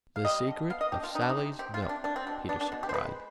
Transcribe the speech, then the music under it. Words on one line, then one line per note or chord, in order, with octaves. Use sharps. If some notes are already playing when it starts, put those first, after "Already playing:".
"The secret of Sally's milk," Peterson cried.
F5
G3 D#5
D3
B3 F5
D#5
D3 G4
F4
G3 D#4
D4
D#4
C3
C4 G4
F4
C3
D4
G3 D4
C4
B2 D4
B3 D4
D4
B2
G4
C5
G#3 B4